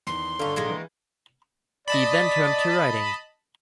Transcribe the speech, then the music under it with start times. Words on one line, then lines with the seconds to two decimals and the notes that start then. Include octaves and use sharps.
He then turned to writing.
0.07 E2 D#3 C6
0.39 G1 D3 C#4 F4 A4 A#5
0.56 A#1 D#3 G#3 A#3 G#6
0.70 E3
1.88 D5 D#5 A5 B5